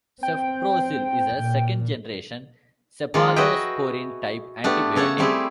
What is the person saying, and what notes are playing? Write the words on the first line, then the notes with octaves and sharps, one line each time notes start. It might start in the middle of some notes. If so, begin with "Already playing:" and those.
Cefprozil is a second-generation cephalosporin type antibiotic.
C4 G5
A#2
D#3 G#3 A#3 F4 D5
F#4 G#4 B4 D#5 E5 G5
A3 B3 D4 G4
C#3 A4 C#5 F#5 A5
G3 A3 C4 E4 G4 G#4